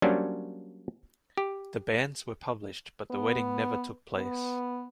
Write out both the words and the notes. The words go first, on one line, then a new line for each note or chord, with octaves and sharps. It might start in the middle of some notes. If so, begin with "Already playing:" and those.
The banns were published but the wedding never took place.
F#3 G3 A#3 C#4 D4 C5
G4
B3
B3